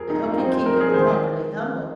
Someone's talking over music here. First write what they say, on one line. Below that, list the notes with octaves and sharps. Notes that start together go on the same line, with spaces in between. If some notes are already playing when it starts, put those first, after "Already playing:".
I hope you keep him properly humble.
Already playing: F2 G#4 A#4
D#4
A#3
D#4
C4
C5
A#4
G#4
D#3 G#3 C5